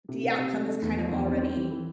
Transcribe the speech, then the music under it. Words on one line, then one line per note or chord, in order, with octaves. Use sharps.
the outcome is kind of already
C3
C3
C3
A3
A3
E2
F3
E2
C4
C4
E3
E3